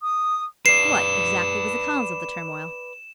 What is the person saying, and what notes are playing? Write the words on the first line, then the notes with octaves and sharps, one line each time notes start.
What, exactly was the cause of the turmoil?'
D#6
B4 D5 C7 E7